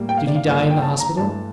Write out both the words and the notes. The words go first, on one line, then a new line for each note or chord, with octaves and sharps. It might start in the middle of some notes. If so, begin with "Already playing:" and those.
'Did he die in the hospital?'
Already playing: A2 G3 A#3
G5
F5
D5
F5
G2 F3 A#3
G5
A5
A#5
G2 E3 A3 A5